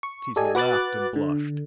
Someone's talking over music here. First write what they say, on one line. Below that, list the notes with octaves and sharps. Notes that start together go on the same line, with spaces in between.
Tito laughed and blushed.
C#6
G4 A4 D5 D#5 G#5
F#4 B4 D6 F#6 A6
D3